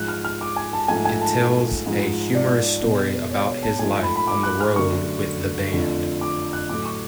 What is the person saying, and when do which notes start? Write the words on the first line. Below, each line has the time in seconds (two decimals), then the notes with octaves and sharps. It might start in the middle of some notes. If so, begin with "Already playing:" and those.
It tells a humorous story about his life on the road with the band.
Already playing: G#2 F3 G#3 F#6
0.08 F6
0.25 F6
0.41 D6
0.56 G#5
0.73 A5
0.88 G#2 F3 A3 G#5
1.05 G#5
1.21 A5
1.86 G#2 F3 G#3
2.35 D5
2.82 B2 G#3
3.31 C#5
3.46 C#5
3.63 A5
3.79 G#2 F3 A3 G#5
4.03 B5
4.16 B5
4.27 D6
4.43 F#6
4.60 F6
4.76 F#2 D3 F#3 A3 C#6
5.72 F2 D3 F3 A3
6.21 D6
6.53 F#6
6.70 A2 F#3 A3 D6
6.86 C#6